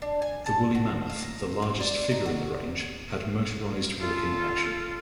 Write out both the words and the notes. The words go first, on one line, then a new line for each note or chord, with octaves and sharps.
The Woolly Mammoth, the largest figure in the range, had motorized walking action.
D4
G#5
A4
F#4
F5
A#5
E3
D5
D#4
F#4
F4 A4